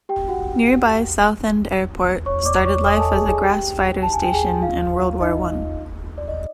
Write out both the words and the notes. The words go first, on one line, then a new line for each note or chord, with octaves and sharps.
Nearby Southend Airport started life as a grass fighter station in World War One.
G4 G5
F#4 F#5
C#5 C#6
D5 D6
C#5 C#6
D#5 D#6
G#5
A4 A5
G#4 G#5
G#4 G#5
G4 G5
A5
G#5
G5
G#4 G#5
F4 F5
D#4 D#5
D5
D#5